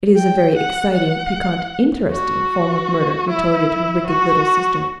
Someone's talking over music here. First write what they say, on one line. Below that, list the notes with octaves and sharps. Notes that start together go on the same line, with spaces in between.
"It is a very exciting, piquant, interesting form of murder," retorted her wicked little sister.
G5
F#5
F#5
F#4
E4
F#4